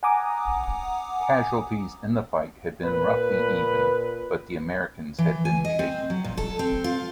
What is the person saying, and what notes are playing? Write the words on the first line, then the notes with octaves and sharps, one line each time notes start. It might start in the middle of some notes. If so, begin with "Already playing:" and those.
Casualties in the fight had been roughly even, but the Americans had been shaken.
F#5 G#5 A#5 D6 D#6
A#2 B4
E3
G#5
D#5
C4
F#3
A#2
A4
C4
F4